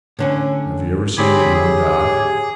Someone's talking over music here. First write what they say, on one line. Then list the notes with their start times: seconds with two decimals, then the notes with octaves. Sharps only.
"Have you never seen any one die?"
0.19 A2 D3 C#4
1.18 D3 C4 G4 G#4 C#5 B5
1.54 G#4